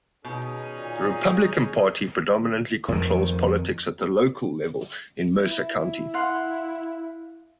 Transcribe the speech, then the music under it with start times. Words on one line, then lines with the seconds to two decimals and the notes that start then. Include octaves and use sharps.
The Republican Party predominantly controls politics at the local level in Mercer County.
0.25 B2 C#4 D#4 G#4
0.71 A#2
2.88 F2 D#3
5.43 E4
6.14 F5 F#5 C6